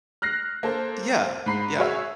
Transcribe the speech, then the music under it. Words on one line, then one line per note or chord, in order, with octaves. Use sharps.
Yeah. Yeah.
F6 F#6 A#6 C7
A#3 A4 C5
G#2 B5 C7
F#4 G#4 C#5 E5